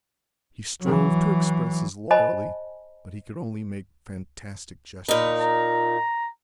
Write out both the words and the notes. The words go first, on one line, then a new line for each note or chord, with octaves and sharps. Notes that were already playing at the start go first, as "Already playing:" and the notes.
He strove to express his loyalty, but he could only make fantastic gestures.
E3 F#3
C5 D#5 G#5 A5 B5
A#2 D#4 B5
A#5